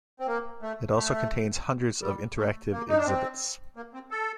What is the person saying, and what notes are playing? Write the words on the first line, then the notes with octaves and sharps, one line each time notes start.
It also contains hundreds of interactive exhibits.
C4
A#3
A3
A3
G3
A3
A#3
D#4
D4
C4
A#3
C4
A4